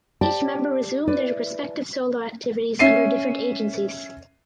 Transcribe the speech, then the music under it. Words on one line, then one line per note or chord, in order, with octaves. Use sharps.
Each member resumed their respective solo activities under different agencies.
G4 C5 D5 G5 A5
E4 B4 D5
C#4 E5 C7 D#7